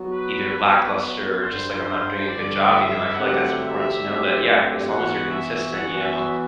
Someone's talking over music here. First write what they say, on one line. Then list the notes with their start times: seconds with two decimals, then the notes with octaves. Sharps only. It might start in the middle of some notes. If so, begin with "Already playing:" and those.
either lackluster or just, like, I'm not doing a good job, you know, I feel like that's important to know that, yeah, as long as you're consistent, you know,
Already playing: F#3 B3 F#4
0.12 B4
0.56 F#3 B3 F#4
1.42 G2 D3 G3 C5
1.85 C5
2.28 G2 D3 G3 D5
2.71 E5
3.14 D3 F#3 A3 C4 G4 F#5
3.58 E5
4.01 D3 F#3 A3 C4 G4
4.87 E3 B3 F#4 F#5
5.30 E5
5.74 E3 B3 F#4 F#5
6.02 E5